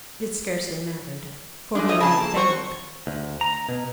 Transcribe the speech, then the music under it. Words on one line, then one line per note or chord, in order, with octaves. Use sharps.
But it scarcely mattered, for he only failed.
G#3 A3 D4
F#3 A3 D#5
C#3 G#4 A5
A#3
C4 F#4 C5 C#6
D2
A#5
B2